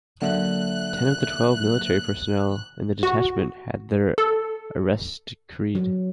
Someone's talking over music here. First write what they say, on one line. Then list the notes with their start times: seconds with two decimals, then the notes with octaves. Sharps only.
Ten of the twelve military personnel in the detachment had their arrest decreed.
0.22 D3 F#3 A#3 E5 F#6
3.03 F#4
4.18 A4
5.75 F#3